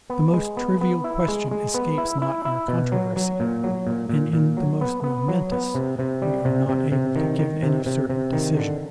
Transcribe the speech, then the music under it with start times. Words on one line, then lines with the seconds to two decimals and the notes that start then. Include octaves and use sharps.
The most trivial question escapes not our controversy, and in the most momentous we are not able to give any certain decision.
0.10 B3
0.33 G#3
0.57 B3
0.81 B3
1.04 E4
1.28 G#3
1.51 G#3
1.74 B3
1.98 E4
2.22 E4
2.45 E4
2.68 B2
2.92 F#3
3.16 F#3
3.40 A#2
3.64 F#3
3.87 A#2
4.09 A#2
4.33 A#2
4.57 F#3
4.81 B3
5.04 B3
5.28 F#3
5.52 B3
5.75 C3
5.99 C3
6.22 G3
6.45 C3
6.69 C3
6.92 C3
7.16 D#3
7.39 D#3
7.63 C3
7.86 C3
8.09 C3
8.33 D#3
8.57 D3